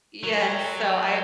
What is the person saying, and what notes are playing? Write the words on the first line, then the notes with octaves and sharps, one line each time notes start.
Yes, so I
F#3